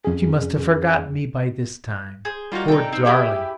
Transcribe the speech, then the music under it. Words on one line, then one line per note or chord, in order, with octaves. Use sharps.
She must have forgotten me by this time, poor darling!
F2 C#4 G#4
G#4 C5
G3 A#3 D#4 F4 F#4
C3 D#4 A4 D5 G5
C4 D#4
E4 G4 G#4 E5 G5 B5